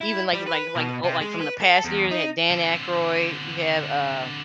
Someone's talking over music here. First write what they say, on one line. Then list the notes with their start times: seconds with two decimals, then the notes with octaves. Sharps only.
Even, like like like oh, like, from the past years, they had Dan Aykroyd, you have, uh
0.01 E4
0.33 G3
0.47 B4
0.75 B2
1.04 C3
1.21 G#3
1.40 B4
1.60 A4
1.84 E2
2.11 D#4
2.51 D3 C4